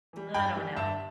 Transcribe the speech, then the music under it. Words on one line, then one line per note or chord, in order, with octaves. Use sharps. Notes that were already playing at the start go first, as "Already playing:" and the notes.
I don't know.
E3 G3
G2 G5 B5
E3 G3
G2 E5 A5